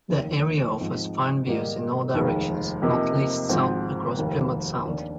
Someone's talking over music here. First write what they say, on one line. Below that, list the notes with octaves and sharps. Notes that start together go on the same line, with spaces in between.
The area offers fine views in all directions, not least south across Plymouth Sound.
F1 D#2 D#3 A#3
G#2 F3 C4 D#4
G#2 D#3 G3 A#3 D#4
F1 D#2 D#3 G#3
F2 C3 F3 A#3 D#4
G#1 G#2 F3 C4
F1 D#2 D#3 G3 A#3
D#2 D#3 A#3 D4